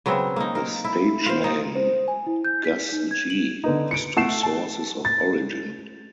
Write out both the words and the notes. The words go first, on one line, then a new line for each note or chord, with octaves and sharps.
The stage name "Gus G." has two sources of origin.
C#3 F#3 B3 C4
A#3 D#4
A#4
E4
F4 C5
D#4
C5
G#5
E4
G6
B6
D#4
G#6
F#7
D3 B3 D#4
C#7 D7
A3 A4 F#5 C7 E7
A5
A6